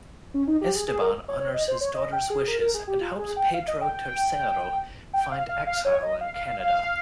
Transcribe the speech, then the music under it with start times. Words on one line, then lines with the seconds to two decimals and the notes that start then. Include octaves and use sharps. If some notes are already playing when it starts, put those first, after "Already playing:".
Esteban honours his daughter's wishes and helps Pedro Tercero find exile in Canada.
0.34 C#4
0.47 D#4
0.61 G4
0.75 G#4
0.88 G#4
1.01 A#4
1.28 C#5
1.40 C#5
1.54 D#5
1.68 C5
1.81 C#5
1.94 D#5
2.12 G5
2.30 G#4
2.48 A#4
2.61 A#4
2.74 G#4
2.87 G4
3.01 F4
3.19 G#4
3.36 G5
3.54 F5
3.68 D#5
3.81 G5
3.94 G5
5.13 G5
5.31 F5
5.49 F5
5.67 F5
5.85 C#5
6.03 D#5
6.21 F5
6.34 F5
6.47 F5
6.60 F5